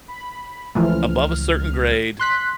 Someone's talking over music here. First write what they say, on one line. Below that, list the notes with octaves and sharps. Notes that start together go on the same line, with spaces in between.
above a certain grade
B5
C#2 E3 F3 A3 F6
C6 F#6 B6